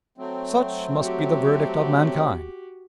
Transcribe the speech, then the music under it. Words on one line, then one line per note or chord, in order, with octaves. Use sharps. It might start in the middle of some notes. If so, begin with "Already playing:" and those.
Such must be the verdict of mankind.
F#3 A3 C4
F#4 G4